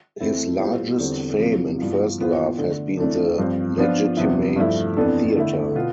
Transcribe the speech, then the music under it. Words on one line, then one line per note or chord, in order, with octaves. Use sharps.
His largest fame and first love has been the legitimate theater.
F2 E3 A3 C4 E4
A2 G3 B3 F4 C5
E2 D3 G3 C4
E2 C3 F3
G2 E3 B3 F4
E3 B3 F4 C5
D3 A3 D4
F2 E3 A3 D4
G2 F3 C4
F3 B3 D4 F4
E2 C3 F3 B3 E4
G2 F3 A3 E4
F2 E3 B3 D4 A4
D3 A3 E4
B2 B3 F4